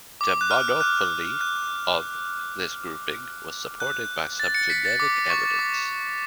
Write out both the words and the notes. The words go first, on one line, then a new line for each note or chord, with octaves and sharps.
The monophyly of this grouping was supported by some genetic evidence.
D6
F#6
F6
F#6
F#6
F#6
A6
A6 C#7
B6
A6
D6
C#6
D6